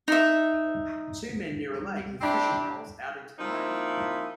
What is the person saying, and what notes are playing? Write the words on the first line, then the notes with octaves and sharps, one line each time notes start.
Two men near a lake with fishing poles out into the lake.
D#4 E5
C4 D4 E4 G4
F3 A#3 C4 D#4 E4